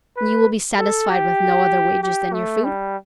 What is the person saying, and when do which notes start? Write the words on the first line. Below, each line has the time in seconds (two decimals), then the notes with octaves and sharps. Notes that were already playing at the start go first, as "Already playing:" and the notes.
"And you will be satisfied with no other wages than your food?"
0.17 B4
0.79 A4
1.10 G4
2.03 G4
2.34 A3
2.64 G3